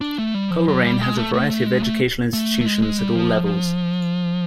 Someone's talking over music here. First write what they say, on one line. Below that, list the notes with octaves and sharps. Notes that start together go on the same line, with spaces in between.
Coleraine has a variety of educational institutions at all levels.
D4
A3
G3
F3
F#3
G3
G#3
A3
A3
A3
G#3
A3
A3
A3
G#3
G#3
G3
F3